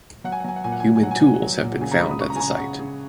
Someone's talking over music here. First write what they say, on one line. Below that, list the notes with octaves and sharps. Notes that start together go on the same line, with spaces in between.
Human tools have been found at the site.
F#3 F#5
G#5
F#5
F#3 G#5
F#5
A#2 G#5
F#5
G#5
A#2 F#5
G#5
F#3 F#5
G#5
F#5
F#3 G#5
F#5
F#3
A#2
C#3 G#5
A#5
G#3 B5
D#6
C#3 C#6
A#5
G#5
C#3 A#5
F#5
C#3
C#3